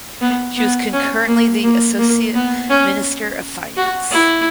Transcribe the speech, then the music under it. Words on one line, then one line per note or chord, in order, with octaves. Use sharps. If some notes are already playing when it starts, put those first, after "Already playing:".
She was concurrently the associate minister of finance.
B3
B3
C#4
A#3
A#3
A#3
B3
C#4
F#4
E4